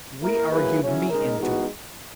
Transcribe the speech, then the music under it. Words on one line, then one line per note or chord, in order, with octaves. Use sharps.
We argued me into it.
A#3 E4 A#4
F#3 A#3 E4 G#4 B4
C#3 F#3 C#4 E4
C#3 G#3 D#4 A#4
E3 G#3 B3 D#4 F#4